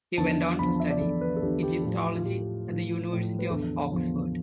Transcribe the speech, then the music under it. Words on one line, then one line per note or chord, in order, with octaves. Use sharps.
He went on to study Egyptology at the University of Oxford.
E2 D3 F3 A5
E2 D3 F3 B5
E5
D5
E2 D3 F3 A4
B4
A4
E2 D3 F3 G4
G4
A2 F3 G4
F4
A2 F3 G4
A2 F3
A2 F3
B4
E2 D3 F3 A4
E2 D3 F3